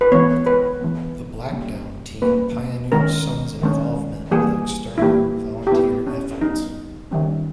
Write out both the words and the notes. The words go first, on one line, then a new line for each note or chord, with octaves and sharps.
The Blackdown team pioneered Sun's involvement with external, volunteer efforts.
B4
E3 G#3 B3 C#5
B4
E3 G#3 B3
G3 A#3 C#4
G3 A#3 C#4 B4
D#3 G#3 C#4 A#4
D#3 G#3 C#4
E3 G3 A#3 G#4
E4
E3 G3 A#3 G4
G4
G3 B3 E4
C#4
G3 B3 D#4
D#3 G3 C#4